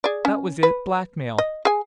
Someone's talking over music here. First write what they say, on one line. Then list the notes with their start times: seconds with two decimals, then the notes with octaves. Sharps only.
That was it--blackmail.
0.04 G#4 D5
0.25 C#4
0.63 B4
1.38 D#5
1.65 G#4 G#5